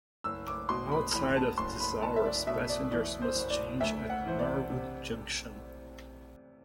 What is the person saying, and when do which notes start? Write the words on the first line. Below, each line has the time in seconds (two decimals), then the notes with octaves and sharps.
Outside of these hours passengers must change at Norwood Junction.
0.24 F#1 E6
0.47 D6
0.69 B2 C6
0.92 B5
1.14 E2 B5
1.37 A5
1.58 F#1 C6
1.80 B5
2.03 F#1 A5
2.16 E5
2.25 D5
2.47 B2 E5
2.69 D5
2.91 E2 D5
3.22 C5
3.35 F#1
3.50 D5
3.80 D2 E5
4.10 F#5
4.25 E3 C5
4.39 D5
4.70 C3